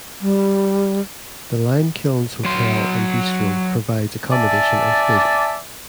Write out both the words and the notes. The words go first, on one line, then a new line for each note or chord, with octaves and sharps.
The Limekilns Hotel and Bistro provides accommodation and food.
G3
F#3 C6
D5 E5 G#5 A5